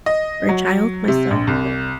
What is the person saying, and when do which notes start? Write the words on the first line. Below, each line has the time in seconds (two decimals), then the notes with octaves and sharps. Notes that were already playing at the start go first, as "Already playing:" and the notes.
or a child myself, but
0.06 D#5
0.49 F#3
1.08 C3
1.31 A#1
1.47 C2